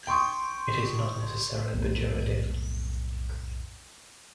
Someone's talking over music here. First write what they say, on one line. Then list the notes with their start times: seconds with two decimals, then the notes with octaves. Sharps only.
It is not necessarily pejorative.
0.07 G5 C6 C#6 D#6
1.74 B1 F2 A2 A3